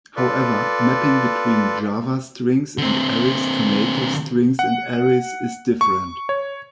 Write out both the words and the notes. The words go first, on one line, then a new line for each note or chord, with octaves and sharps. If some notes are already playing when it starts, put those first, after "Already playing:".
However, mapping between Java Strings and arrays to native strings and arrays is different.
F4 A4 B4 D5
D3 C4
F#5
C#6
C#5